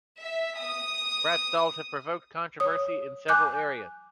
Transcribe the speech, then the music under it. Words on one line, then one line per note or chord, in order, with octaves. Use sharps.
Bratz dolls have provoked controversy in several areas.
E5
D#6
C#5 D#6
G#5 D6 F#6 G6